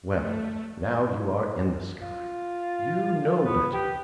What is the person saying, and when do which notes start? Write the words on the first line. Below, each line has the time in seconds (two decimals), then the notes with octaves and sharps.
Well, now you are in the sky, you know better.
0.17 A3
2.02 F4
3.45 B3 B4
3.73 G4